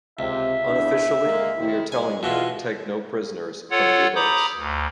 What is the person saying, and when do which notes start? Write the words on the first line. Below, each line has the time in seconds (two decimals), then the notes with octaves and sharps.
Unofficially, we are telling you... take no prisoners from U-boats.
0.19 C#2 C3 E5
0.66 E2 D4
1.25 G#3 A#3
1.57 C3 D#3 E4
1.92 C2 G#3 G#5
2.23 B2 E3 G#3 F4
3.71 F4 A4 C#5 F#5
4.15 A#5 B5 D6 D#6 G6
4.57 D2